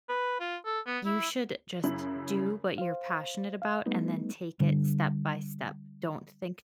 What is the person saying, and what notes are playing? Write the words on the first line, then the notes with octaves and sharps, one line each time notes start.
You should just do what you're passionate about, and then take it step by step. Don't think
B4
F4
A4
B3
E4
F#2 C#3 E4 F#7
C5 F5
F5
G3 A3 B3 D#4
D3 G3